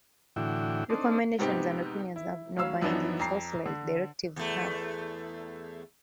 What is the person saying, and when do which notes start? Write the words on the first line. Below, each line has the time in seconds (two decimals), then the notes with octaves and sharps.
Recommendations and opinions have no binding force, like directives have.
0.36 A2 D3 E3 E4 F#4 G5
0.90 C4 D4 D#4 A4
1.39 G#2 C3 B3 C4 D#4 G4
2.16 E4
2.57 D2 F#3 C#4 F5 E6
2.81 F#2 E3 F3 B3 D4 D#4
3.19 F2 A#5 C7
3.66 D3
4.36 E2 A3